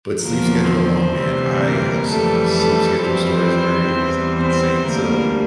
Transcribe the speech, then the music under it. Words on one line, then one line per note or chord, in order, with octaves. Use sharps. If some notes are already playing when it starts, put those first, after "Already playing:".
But sleep schedule, oh, man, I have some sleep schedule stories where it is i insane. So,
E2 D3 F3 A#3 A#4
C4 C5
D2 C3 E3 G3
A#3 A#4
F2 E3 G3 A3 A4
A3 A4
F2 E3 G3 C4 C5
E2 E3 G3
C4 C5
D2 D3 G3 A#3 A#4